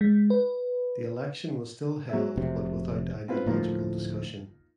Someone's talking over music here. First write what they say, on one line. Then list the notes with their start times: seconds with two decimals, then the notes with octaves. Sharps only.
The election was still held but without ideological discussion.
0.01 G#3
0.30 B4
2.09 F#3 G#3 E5
2.37 F1 C3
3.28 C4 F4 B4
3.46 D1 A2 F3 A#3 D#4 F4